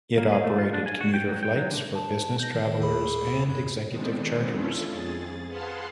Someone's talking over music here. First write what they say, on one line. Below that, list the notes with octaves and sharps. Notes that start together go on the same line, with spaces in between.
It operated commuter flights for business travellers and executive charters.
A#3
G#4
A3
F4
D4
G#5
F#4
G5
F#3
G5
F#3
D3
A5
G6 A#6
D#3
D#2 G#4 B5
G2
D#3 G#3 B3 C4 D4
C#4 E4 F4 A4
F2 G#4 A6
G#4 B4 F5 F#5 A5 C6